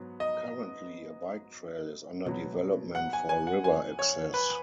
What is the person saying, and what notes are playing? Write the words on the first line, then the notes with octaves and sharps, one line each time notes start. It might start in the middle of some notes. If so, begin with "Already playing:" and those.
Currently a bike trail is under development for river access.
Already playing: G#2 F#3 B3
D#5
B2 F#3 B3
F#5
G#5
G#5
F#5
G#5
C#5
B4